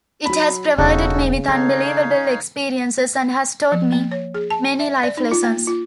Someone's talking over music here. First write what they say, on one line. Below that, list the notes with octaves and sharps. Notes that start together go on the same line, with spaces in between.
It has provided me with unbelievable experiences and has taught me many life lessons.
F#3 B5
E1 C#3 G#3 D#4 F#4 A4
D#3 D#4 A4 C#5 F5
F3
A#3
C#5
G#4
A5
E5
D5
D#4
F4
A#3
F4